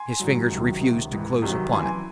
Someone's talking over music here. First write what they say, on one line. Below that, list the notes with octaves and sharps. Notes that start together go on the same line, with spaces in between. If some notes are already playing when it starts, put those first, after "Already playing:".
His fingers refused to close upon it.
Already playing: G#5 C6
G#2 D#3 F#3
C#2 C3 D#3 F#3
C#2 C3 D#3
G#2 E3
C2 C3 D#3 F#3
F#2 E3 G#5 C6